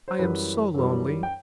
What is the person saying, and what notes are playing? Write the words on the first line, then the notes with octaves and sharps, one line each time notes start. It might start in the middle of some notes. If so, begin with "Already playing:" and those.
I am so lonely.
C5
F#2 E3 G3 B4
F#2 E3 G3
G5